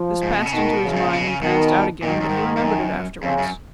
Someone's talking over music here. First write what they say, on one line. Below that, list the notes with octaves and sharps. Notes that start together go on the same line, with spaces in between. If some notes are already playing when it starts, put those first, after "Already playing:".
This passed into his mind, and passed out again; but he remembered it afterwards.
Already playing: F3
G#2
C#3
B2
C#3
B2 D#3
C#3
F#2
G#2
A#2
B2
C#3
B2 D#3
A#2 D#3
G#2
F#2
G#2
G#2
F#2
F2 C#3
F#2